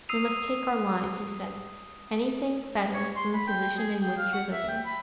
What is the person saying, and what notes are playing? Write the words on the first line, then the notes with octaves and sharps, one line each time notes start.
We must take our line," he said. "Anything's better than the position in which you're living.
D#6 E6 C7 D#7 F7
C#5
C6
B5
G5
G#4
G5
F5
F#5
E5
G5
B5